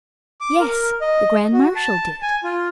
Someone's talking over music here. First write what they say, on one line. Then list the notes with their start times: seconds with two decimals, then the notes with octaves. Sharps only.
"Yes; the grand marshal did."
0.41 D6
0.60 A#4
1.01 D#5
1.53 F#4
1.76 A5
2.22 G#5
2.44 F4